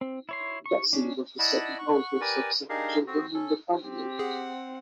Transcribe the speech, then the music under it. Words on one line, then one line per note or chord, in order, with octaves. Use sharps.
Bessie was the second oldest of seven children in the family.
C4
E4 C#5 C6
C#6
C#4 D4
E4 D5 D#5 F#5 A5 B5
F#5 C#6
G4 A#4 B4 D5 G#5
D4 D#4 G4 G#4 A#4 F5
C4 F#4
C#4 A4
C4 G4
G#4 F#5